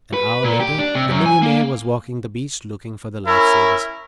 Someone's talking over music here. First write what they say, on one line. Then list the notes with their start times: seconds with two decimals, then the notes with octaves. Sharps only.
An hour later the millionaire was walking the beach looking for the life-savers.
0.14 B4
0.44 A#2
0.60 G4
0.79 D4
0.95 C3
1.09 F#2
1.26 G#5
1.42 A#3
3.27 C#4 E4 A#4 E5